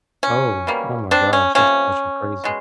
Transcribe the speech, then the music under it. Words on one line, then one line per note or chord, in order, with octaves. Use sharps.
Oh, oh my gosh, that's actually crazy.
C#4
B2 G3 A#3
C4 D4
C#4
C3 F3 A#3 C#4
B2 G#3